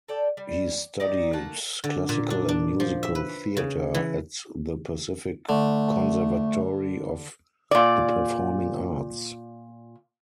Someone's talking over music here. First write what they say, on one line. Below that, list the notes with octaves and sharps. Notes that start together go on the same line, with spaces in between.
He studied classical and musical theater at the Pacific Conservatory of the Performing Arts.
A4 D5 G5
G3
D#4 G4 D5 A#5
A3 A#3 F#5 A5
D3
A#2
D4
D4
F3
E5
B4
C#3
E3
D3 A3
A#2 D5